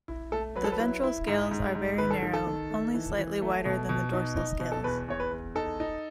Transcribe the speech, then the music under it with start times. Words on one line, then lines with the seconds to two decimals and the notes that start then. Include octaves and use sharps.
The ventral scales are very narrow, only slightly wider than the dorsal scales.
0.08 E4
0.32 A3 A4
0.55 F#3 B4
0.64 A4
0.72 B4
0.80 E4
1.04 E4
1.27 G#2
1.51 G#2
1.75 G#2
1.98 D#3 B4
2.11 A4
2.23 D#3
2.33 A4
2.47 D#3
2.70 A3
2.94 E3
3.17 E3
3.42 A3
3.65 B2
3.89 B2
4.13 D#4
4.37 D#4
4.60 B2
4.72 A4
4.84 E2 B4
5.08 E2 C#5
5.20 B4
5.31 E2
5.55 D#4 A4
5.80 D#4